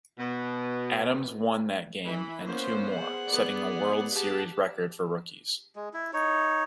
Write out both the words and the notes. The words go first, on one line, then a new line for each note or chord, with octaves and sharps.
Adams won that game and two more, setting a World Series record for rookies.
B2
E3 B5
A#3 B3 C#4 C5
G#4 F#5
B3 D5
G4 G#4 F#5 A5
G#3
E4
D#4 C#5